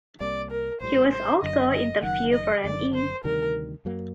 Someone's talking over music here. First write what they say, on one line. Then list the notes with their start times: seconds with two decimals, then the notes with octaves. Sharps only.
He was also interviewed for an E!
0.20 C2 C3 G3 A#3 D5
0.51 A#4
0.80 A#1 A2 G3 C5
1.11 C5
1.42 F#1 F#2 D3 D#5
1.73 D#5
2.03 F#1 F#2 D#3 F#5
2.33 D#5
2.64 F#1 F#2 D3 D5
2.94 C5
3.24 D2 C3 D#3 G3 A#4
3.85 F#2 F#3 A#3